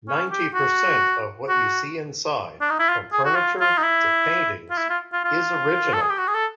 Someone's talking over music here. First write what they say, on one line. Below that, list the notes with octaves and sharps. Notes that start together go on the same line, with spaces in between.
Ninety percent of what you see inside, from furniture to paintings, is original.
C#4
G4
F#4
F#4
D4
D#4
E4
F4
G#4
F#4
F4
F4
D#4
E4
F4
E4
F4
F4
F4
A4
G#4
G4
F#4
G#4
A4